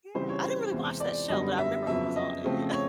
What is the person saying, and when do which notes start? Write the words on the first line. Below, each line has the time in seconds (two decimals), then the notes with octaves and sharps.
Yeah, I didn’t really watch that show, but I remember who was on it. Yeah.
0.14 C#3 E3 G3 C4 C5
0.29 C#5
0.43 C5
0.71 E2 C3 E3 G#3
1.00 D5
1.29 F#2 D3 G3 B3 D#5
1.58 E5
1.87 F2 C#3 F#3 B3 E5
2.16 D#5
2.44 C#3 F3 A3 C4
2.73 C#5